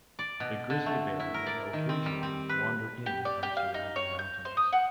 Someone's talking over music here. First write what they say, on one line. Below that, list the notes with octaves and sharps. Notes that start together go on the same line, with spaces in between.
The grizzly bear may occasionally wander in from surrounding mountains.
D5
B2
D3
A3
E4
A#4
D5
D#3
C4
G3
C4
B4
G4
D5
G4
F5
D#4
C#5
G6
C5
D#6
F#5